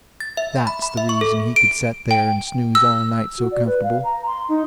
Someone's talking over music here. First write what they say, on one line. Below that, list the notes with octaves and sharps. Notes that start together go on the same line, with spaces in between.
THAT'S the reason he could set there and snooze all night so comfortable.
A6
E5
B5
B5
E5
C#6
A4
D7
G5
E6
F#4
D5
B4
F5
A#5
C6
D#4